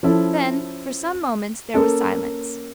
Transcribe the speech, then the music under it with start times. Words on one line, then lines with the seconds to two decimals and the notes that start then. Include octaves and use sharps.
Then, for some moments, there was silence.
0.03 F3 C#4 E4 A4
1.74 A#3 C#4 A4